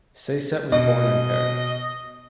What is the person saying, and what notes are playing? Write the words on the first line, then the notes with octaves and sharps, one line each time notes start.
Saiset was born in Paris.
B2 D#5